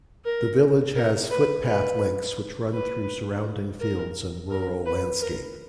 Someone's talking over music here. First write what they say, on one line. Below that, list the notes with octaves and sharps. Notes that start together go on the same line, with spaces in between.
The village has footpath links which run through surrounding fields and rural landscape.
A#4
A#4
B4
B4
B4
A#4
A#4
B4
A#4